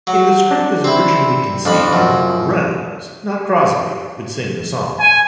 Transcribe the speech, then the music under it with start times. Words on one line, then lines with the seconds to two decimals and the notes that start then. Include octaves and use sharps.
In the script as originally conceived, Reynolds, not Crosby, would sing the song.
0.07 F#3
0.51 D4
0.84 C4 E4
1.65 F2 D4 B5
1.93 F#2 F3
5.00 G#5